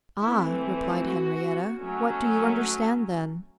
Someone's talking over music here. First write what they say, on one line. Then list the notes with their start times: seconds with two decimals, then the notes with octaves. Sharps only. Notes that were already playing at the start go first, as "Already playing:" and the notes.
"Ah!" replied Henrietta, "what do you understand, then?"
0.21 E3 A3 C4 E4
1.01 F#4
1.80 F#3 A3 C#4